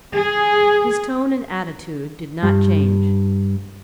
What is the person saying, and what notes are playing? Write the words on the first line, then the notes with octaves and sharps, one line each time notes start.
His tone and attitude did not change.
G#4
G2